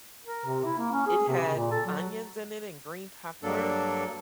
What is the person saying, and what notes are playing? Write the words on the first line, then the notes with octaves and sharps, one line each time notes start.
It had onions in it and green pepper,
A#4
C3
E4
A#3
C#4
G#4
C3
C#3
A#2
A4
F#3
G2 F#3 A#3 D4 A4